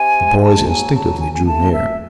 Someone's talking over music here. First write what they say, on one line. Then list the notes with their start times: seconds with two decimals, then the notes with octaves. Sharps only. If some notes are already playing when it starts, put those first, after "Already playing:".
The boys instinctively drew near.
Already playing: C3 G#5
0.18 G#3
0.43 A#3 A5
0.69 F#3 G#5
0.95 D#3 A5
1.21 A#3 G#5
1.36 G#5
1.46 A3 A5
1.73 A3 E5